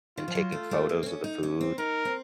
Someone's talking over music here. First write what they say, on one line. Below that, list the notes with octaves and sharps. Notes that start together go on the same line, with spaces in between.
and taking photos of the food,
D#3 F4
F3
F#3
A3
A3
A#3
C4
C#4
D#4
C#4
C4
D#4 A#4
C4